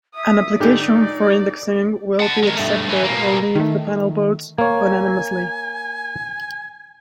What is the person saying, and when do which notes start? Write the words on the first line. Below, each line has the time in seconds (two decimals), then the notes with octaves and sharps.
An application for indexing will be accepted only if the panel votes unanimously.
0.15 E5 D#6
0.60 G#2 D3 D#4 G4 D5
2.20 F#5 A5
2.44 G#3 A#4
2.57 G2 A3
2.89 E3 C#4
3.04 B2 A#3
3.55 D#3 A3
4.58 A#3 C#5 G#5